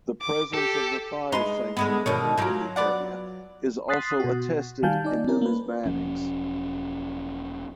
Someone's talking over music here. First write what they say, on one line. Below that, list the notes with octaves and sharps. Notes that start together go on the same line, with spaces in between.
The presence of the fire sanctuary in the area is also attested in numismatics.
D6
G4 A4
G#3 D#4 B4 D#5 C6
D3 G#3 B3
B2 D3 D#3 C#5
F#3 D#4 F4 G4 A#4
B3 D5 F#5
C6 D#6 F#6 A6 B6 C7
B2 F#4
D#3 G3 F5 G#5 A5 G6
D#4 D5
C#4 E4 A#4
A#3 B4
E1 F3 C#4